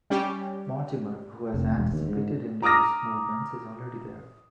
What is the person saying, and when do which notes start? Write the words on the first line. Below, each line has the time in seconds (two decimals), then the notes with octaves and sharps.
Mortimer, who has anticipated Indio's movements, is already there.
0.10 G3 C#4 G4
1.54 F1
1.78 E1
1.92 D#2
2.09 G#2
2.62 A#5 D6 D#6 F6 A#6